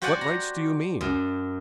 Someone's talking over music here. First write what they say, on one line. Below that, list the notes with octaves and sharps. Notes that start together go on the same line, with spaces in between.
"What rights do you mean?"
F#4 G4 C5 D5 F#5 G#5
A#5
F#2